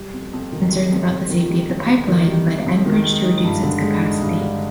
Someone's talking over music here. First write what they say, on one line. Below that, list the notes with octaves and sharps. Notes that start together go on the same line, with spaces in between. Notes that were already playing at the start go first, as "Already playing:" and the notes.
Concerns about the safety of the pipeline led Enbridge to reduce its capacity.
Already playing: G3
F2
F2
D#3
G3
F2
F2
D#3
G3
F2
F2
D#3
G3
F2
F2
D#3
G#3
D#4
G2
D3
G#3
D#4
G2
D3